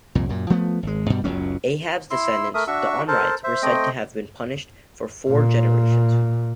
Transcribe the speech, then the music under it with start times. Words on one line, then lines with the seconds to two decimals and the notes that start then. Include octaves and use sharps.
Ahab's descendants, the Omrides, were said to have been punished for four generations.
0.15 C2 F2 A#2
0.29 F#2 A#2
0.50 F3 A3 B3
0.83 G#1 G#3
1.10 G2 B2 G3
1.24 F#1 C#2 F#3 C#4
2.11 E4 C6 E6
2.54 A3 A#4 E5 D#6
2.67 D4 F#4 E5 C#6 E6
3.08 A4 A#4 C5 A5
3.44 C5 E5
3.62 A3 C4 D#5 G5
5.28 A#2